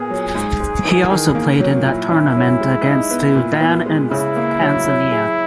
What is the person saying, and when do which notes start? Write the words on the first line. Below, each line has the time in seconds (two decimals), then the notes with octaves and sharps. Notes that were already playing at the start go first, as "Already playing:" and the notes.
He also played in that tournament against Sudan and Tanzania.
Already playing: A#2 B3 G#4
0.10 F#3
0.35 G#2
0.60 G#3
0.85 E3
1.11 D#3
1.35 A#3
1.60 F#3
1.85 A#2 E4
2.10 C#4
2.36 F#3
2.61 G#3
2.86 D#4
3.11 B3
3.35 A#2
3.61 B3
3.86 G#3
4.11 C#3 E4
4.36 A#3
4.61 F#3
4.86 F#3
5.11 G#4